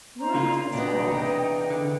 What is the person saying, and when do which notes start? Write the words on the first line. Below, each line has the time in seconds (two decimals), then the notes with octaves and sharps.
Nor was this all.
0.20 C5 A#5
0.35 C#3 A#3 F4
0.73 B2 B3 D4 D#4 G5
1.08 E2 C3 B3
1.70 D3